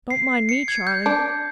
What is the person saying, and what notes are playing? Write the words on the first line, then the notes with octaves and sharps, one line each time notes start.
Don't mind me, Charley!
C7
C#7
G#6
G6
D4